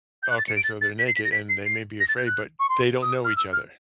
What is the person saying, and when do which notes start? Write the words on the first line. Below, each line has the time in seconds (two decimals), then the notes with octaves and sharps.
Okay, so they're naked, and they may be afraid, but they don't know each other.
0.22 G6
0.30 F#6
0.38 A6
0.47 C#7
0.56 D7
0.64 A6
0.81 A6
0.99 B6
1.07 C7
1.15 B6
1.24 A#6
1.32 B6
1.49 C7
1.66 C7
2.00 A#6
2.08 A6
2.17 G6
2.26 F#6
2.59 C#6
2.69 C6
3.02 D#6
3.24 F6
3.36 E6
3.53 F6